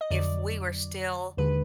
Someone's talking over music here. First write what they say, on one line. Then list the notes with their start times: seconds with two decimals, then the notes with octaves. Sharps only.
if we were still
0.01 D#5
0.10 F2 D3 F#3 D5
1.37 D#2 D3 G#3 B4